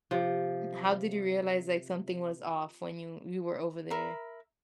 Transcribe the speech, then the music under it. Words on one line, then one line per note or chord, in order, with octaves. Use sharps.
how did you realize, like, something was off when you you were over there?
C3 F3
A#4 E5 B5